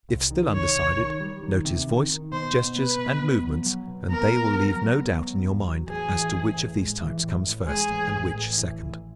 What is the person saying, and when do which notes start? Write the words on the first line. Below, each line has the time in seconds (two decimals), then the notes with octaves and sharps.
If still undecided, note his voice, gestures and movements and they will leave no doubt in your mind as to which of these types comes first and which second.
0.09 C2
0.31 D#3
0.53 C2 C#5
0.76 C2
0.97 D#3
1.20 G3
1.43 D#3
1.65 C3
1.87 D#3
2.10 D#3
2.32 B2 C5
2.54 B2
2.76 B3 B4
2.98 B2
3.22 B3
3.43 F#3
3.66 F#3
3.88 B2
4.10 B3 A#4
4.33 B3
4.55 F#3
4.77 F#3
5.00 B3
5.22 F#3
5.45 E2
5.67 F#3
5.88 A1 G#4
6.11 E3
6.34 A1
6.56 A2
6.78 G#3
7.00 E3
7.23 A2
7.45 A1
7.67 G#3 G#4
7.91 A1
8.12 A2
8.34 A1
8.58 E3
8.79 A1